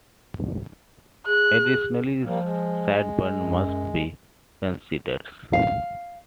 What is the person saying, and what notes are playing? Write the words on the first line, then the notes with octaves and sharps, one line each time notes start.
Additionally, sideburns must be considered.
G#4 F#6
F3 G3 A#3
G#3
F#2
F5